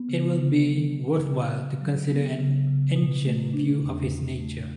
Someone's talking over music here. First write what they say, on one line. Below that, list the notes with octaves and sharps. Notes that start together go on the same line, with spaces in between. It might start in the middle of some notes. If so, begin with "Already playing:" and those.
It will be worthwhile to consider an ancient view of his nature.
Already playing: B3
C#3
C#3
F#3
B3
C#3
C#3
F#3
B3
C#3
C#3
B2
A3
D4
E2
B2
A3